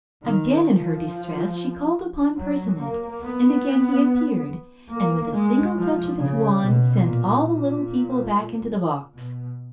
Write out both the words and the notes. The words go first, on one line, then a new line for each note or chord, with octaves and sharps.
Again, in her distress, she called upon Percinet, and again he appeared; and, with a single touch of his wand, sent all the little people back into the box.
D#3
F3
F#3
A#3
B3
A#3
G#3
F3
C#3
B2
A#2
A#2
B2